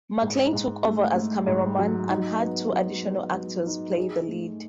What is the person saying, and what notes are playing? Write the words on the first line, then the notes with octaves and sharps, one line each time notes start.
Maclaine took over as cameraman and had two additional actors play the lead.
G#2
G#2
A3
A3
G#2
F#3
D#4
B3
F#3
B3
F#3
D#4
G#4
A3